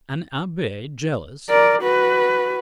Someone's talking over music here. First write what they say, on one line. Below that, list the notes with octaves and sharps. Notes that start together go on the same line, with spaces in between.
"An abbe jealous?"
A#4 D5
F#4 B4